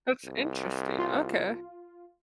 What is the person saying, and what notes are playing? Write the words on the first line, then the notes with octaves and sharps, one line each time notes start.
That's interesting, okay.
C2
F4